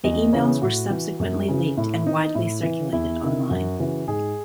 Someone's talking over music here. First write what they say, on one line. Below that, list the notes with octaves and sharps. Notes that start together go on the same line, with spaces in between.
The emails were subsequently leaked and widely circulated online.
E2 D#5
C#3 E3 C#5
A2 F#4
E3
F#2
C#3 E3
A2 E4
E3 D#4
A2 E4
E3
E2 E4
C3 D#3
F#2 F#4
C#3 E3
G#2 G#4